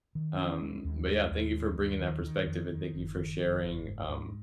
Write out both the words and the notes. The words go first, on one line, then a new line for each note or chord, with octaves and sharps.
Um, but yeah, thank you for bringing that perspective, and thank you for sharing, um,
D#3
C#4
G#3
D#2
G#3
D#2
G#3
D#2
D#3
D#3
F2
D#3
F#1
D#3
F#1
F#1
G#2
G#2